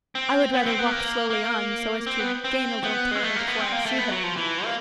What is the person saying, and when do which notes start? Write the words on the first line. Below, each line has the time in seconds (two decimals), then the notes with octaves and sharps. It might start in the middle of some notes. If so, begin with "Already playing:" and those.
'I would rather walk slowly on, so as to gain a little time before I see her.
0.15 C4
0.54 B3
0.66 C4
0.79 B3
0.92 A#3
1.30 A#3
2.07 C4
2.19 B3
2.44 C4
2.83 B3
3.11 G#3
3.24 A3
3.36 A#3
3.48 B3
3.60 C4
3.72 A#3
3.86 A3
3.98 B3
4.11 F#3
4.23 F3
4.37 E3
4.65 A#3